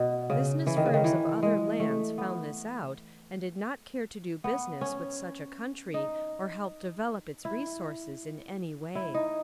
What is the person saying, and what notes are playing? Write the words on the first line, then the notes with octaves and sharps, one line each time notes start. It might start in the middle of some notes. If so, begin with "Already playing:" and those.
Business firms of other lands found this out and did not care to do business with such a country or help develop its resources in any way.
Already playing: B2
C#3
E3
D#3
C#3
D#3
E3
G#3
A3
B3
B3
C#4
D#4
E4
E4
D#4